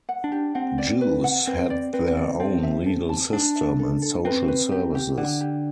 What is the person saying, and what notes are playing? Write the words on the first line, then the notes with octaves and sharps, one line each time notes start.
Jews had their own legal system and social services.
F#5
D4
G4
C4 F#5
D5
B4
F#5
C4 B4
D5
C4 B4
D5
C4 A4
E5
A4
A5
D4 A5
E5
A4
A4
C4 B4
B4
G4
G4
D3 F#5
G4